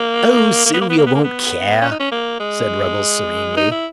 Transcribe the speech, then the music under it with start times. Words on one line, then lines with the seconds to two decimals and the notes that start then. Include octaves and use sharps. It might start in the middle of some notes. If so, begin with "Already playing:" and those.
"Oh, Sylvia won't care," said Ruggles serenely.
Already playing: A#3
0.66 A#3
0.74 B3
0.82 A#3
0.90 B3
0.98 A#3
1.06 B3
1.15 A#3
1.24 B3
1.81 C#4
1.91 D#4
2.00 C#4
2.11 A#3
2.40 G#3
3.57 D#4
3.71 E4